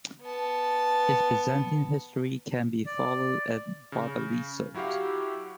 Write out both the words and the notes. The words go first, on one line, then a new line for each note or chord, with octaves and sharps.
Its Byzantine history can be followed at Barbalissos.
B3 A5
D5
C#3
F#3 E4 F#4 G4 F5